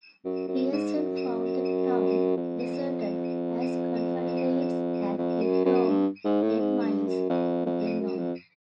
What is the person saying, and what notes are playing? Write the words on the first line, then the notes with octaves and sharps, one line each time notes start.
Grierson found the town deserted, as Confederates had withdrawn ten miles to the north.
F#2
F#2
G#2
F#2
F2
F2
F#2
F#2
G2
G#2
A2
G#2
G2
F#2
F2
F2
F#2
F2